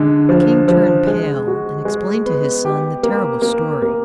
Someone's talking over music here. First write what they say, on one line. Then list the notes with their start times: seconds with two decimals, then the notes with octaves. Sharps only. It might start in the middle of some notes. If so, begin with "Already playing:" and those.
The king turned pale and explained to his son the terrible story.
Already playing: D3 G#3
0.29 F3
0.68 F3
1.07 G#3
1.47 F#4
1.85 G#3
2.26 B3
2.65 G4
3.03 A#3
3.42 A#3
3.82 A#3